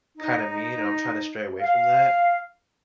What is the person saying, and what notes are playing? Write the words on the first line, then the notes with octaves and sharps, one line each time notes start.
kinda mean, and I'm trying to stray away from that.
D#4
F5